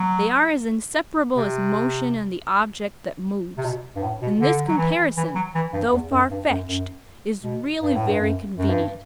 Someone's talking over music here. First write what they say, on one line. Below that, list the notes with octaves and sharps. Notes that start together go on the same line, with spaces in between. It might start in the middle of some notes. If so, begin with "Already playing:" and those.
They are as inseparable as motion and the object that moves; and this comparison, though far-fetched, is really very convenient.
Already playing: F#3
C3
C3
B2
G2
A2
B2
D3
F#3
E3
E3
F#3
E3
G2
E2
F#2
G2
F#2
F#2
B2
G2
A2
G2
F#2
F#2
G2